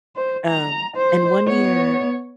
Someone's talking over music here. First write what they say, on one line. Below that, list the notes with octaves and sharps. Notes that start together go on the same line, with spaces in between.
Um, and one year,
C5
A#5
C5
B3 C#5